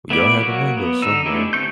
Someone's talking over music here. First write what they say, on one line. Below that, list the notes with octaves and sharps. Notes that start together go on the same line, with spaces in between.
Well, y'all had to learn, though, somewhere.
A3 B3 E4 D5
F#3 A#3 F#4
B3
D3 D#4 E6
G#3 A3 D4 E4 G4
D3 C4 C#6 G6